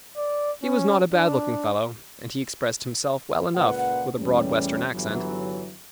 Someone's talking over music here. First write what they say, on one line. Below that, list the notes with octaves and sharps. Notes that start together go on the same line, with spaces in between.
He was not a bad-looking fellow; and he expressed himself well enough with a broad western accent.
D5
C#4
D4
C#2 A#2 B4 F#5
E2 A2 G3 C#4
G1 E3 F#3